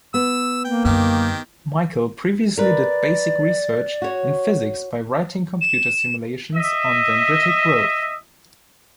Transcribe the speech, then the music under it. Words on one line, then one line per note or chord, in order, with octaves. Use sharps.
Michael previously did basic research in physics by writing computer simulations on dendritic growth.
B3 E6
A#3 G5
F#2 D3 D#3 G4
A#4 B4 D5
F#4 C#5
E7
D#5 E5